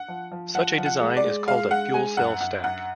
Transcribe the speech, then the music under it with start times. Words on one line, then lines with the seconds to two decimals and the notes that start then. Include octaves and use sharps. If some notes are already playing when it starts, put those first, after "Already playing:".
Such a design is called a "fuel cell stack".
Already playing: F#5
0.08 F3
0.31 F3
0.55 F3 F#5
0.78 F3
0.86 F#5
1.01 G#3
1.17 D5
1.24 G#3
1.48 G#3 F5
1.71 G#3 F#5
1.94 G#3 G#5
2.17 F#2 F#5
2.40 F#2 F#5
2.64 F#2 F#5